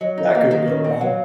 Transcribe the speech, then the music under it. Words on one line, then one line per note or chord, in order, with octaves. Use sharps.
That couldn't go wrong.
F#3 D#5
D#5
D#4
D#5
A#3 D#5
D#3
C#3
C4
F#5
F#3 F5